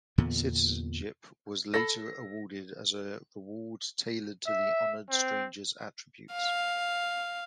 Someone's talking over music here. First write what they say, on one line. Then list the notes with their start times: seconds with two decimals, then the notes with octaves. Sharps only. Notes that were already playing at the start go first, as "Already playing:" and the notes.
Citizenship was later awarded as a reward tailored to the honored strangers' attributes.
0.18 E2 A#2 D3 B3
1.74 A4 B5 A#6
4.47 E5
5.10 C4
6.32 F5